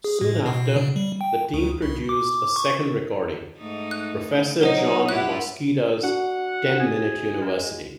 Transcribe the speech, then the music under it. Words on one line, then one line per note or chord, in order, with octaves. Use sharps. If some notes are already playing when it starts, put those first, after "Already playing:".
Soon after, the team produced a second recording, Professor John Moschitta's Ten Minute University.
G#4
A2
B2
C#3
G3
G5
D2
C2
D6
C#6
G#2 A3 D#4
F#6
F#3 D#4 A#4 C5 D#5 F#5
E4 F4 G4 F#6
D4 F#4 F#5
G#4
G#3